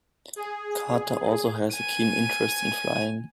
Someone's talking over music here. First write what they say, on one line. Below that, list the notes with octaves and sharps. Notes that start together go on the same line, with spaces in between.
Carter also has a keen interest in flying.
G#4
G#5 D#7